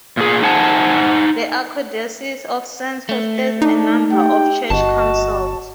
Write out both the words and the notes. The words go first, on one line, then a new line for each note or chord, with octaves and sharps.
The Archdiocese of Sens hosted a number of church councils.
A#2 G#4
D#4 C5 F#5 G#5 A5
A3
D4 D#4 A5
G4 G5
G1 F#4 D#5 A5